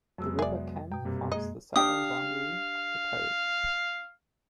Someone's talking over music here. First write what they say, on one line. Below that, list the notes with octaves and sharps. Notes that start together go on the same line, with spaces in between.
The River Cam forms the southern boundary of the parish.
F2 C3 F#3 G#3 B3 E6
G#4 D5 E5
F#2 B2 G5
C3 G3 A#3
G#3 A#3 G#4 D#5
D4 G4 F5 G5 D#6